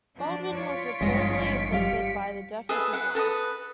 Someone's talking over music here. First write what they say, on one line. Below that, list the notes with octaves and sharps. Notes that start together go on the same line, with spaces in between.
Baldwin was reportedly afflicted by the death of his wife.
F3 D4 D7
F3 F4 C#5 B6 C#7 D7
G#1 G2 G#3 D#5
G3 F5
G#4 A4 B4 E5
B4 F#5
A4 B4 A5 D#6